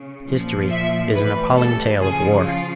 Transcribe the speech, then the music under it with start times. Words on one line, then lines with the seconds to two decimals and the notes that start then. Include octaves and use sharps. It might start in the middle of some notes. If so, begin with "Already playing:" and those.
History is an appalling tale of war.
Already playing: C#3
0.27 A#2 F3
0.70 E5
1.14 A2 E3 G3 B4
1.57 A4
2.00 C#3 F3 G#4
2.44 F4